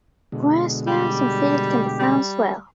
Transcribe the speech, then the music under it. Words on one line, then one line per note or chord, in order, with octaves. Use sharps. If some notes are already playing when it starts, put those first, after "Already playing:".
Grasslands and fields can be found as well.
B2 D3 G#3
G3 G4
G3